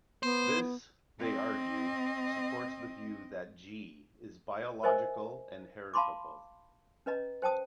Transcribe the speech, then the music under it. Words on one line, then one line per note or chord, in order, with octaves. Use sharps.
This, they argue, supports the view that "g" is biological and heritable.
B3 C5
C4 D#5
A#4 C5 D#5 E5 G#5
F5 A5 B5 C6 D6
C#4 B4 D#5 A#5
C5 G5 A5 D#6